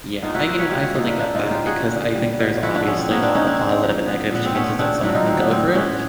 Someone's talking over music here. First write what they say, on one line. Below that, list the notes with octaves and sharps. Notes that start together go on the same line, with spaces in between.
Yeah, I you know, I fully get that because I think there's obviously a lot of positive and negative changes that someone can go through,
B3 D#4 F4
E4 F#4
B3 A#4 C5
B4 C#5
B2 F4 G4
E4 F#4
A#3 D#4 F4
D4 E4
C#3 D4 E4
D#4 F4
C#3
F4 G4
D3 F#4 G#4
D3
G3
B2
F3 E4 F#4
D4 E4
F3 B3 C#4
C4
A#3 B3 C#4
C4 D4
D3 C#4 D#4
C4 D4
D3 C4
F3
B3
A#2 B3
C4
A3 B3 C#4
C#3 C4 D4
F#3 D4 E4
D#4 F4
D3 C4
B3
A2 C4
E3 B3 C#4